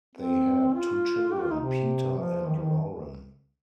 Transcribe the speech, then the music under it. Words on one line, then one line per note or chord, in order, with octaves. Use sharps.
They had two children, Peter and Lauren.
C4
F4
G4
F4
D#4
C3
F3
D#3
F3
D#3